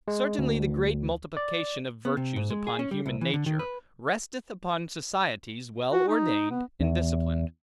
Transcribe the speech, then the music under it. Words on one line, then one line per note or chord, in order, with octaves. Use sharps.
Certainly the great multiplication of virtues upon human nature, resteth upon societies well ordained and disciplined.
G#3
D2
D5
B3
C3
G#2
G#3
G#4
C#4
G3
C2
E3
D3
D#3
B4
F#4
D#4
B3
E2